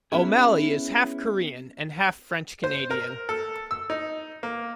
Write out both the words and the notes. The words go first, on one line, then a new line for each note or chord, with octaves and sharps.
O'Malley is half Korean and half French-Canadian.
B3 C#4 E4 G#4
C5
A#4
A4
E6
D#4
A#3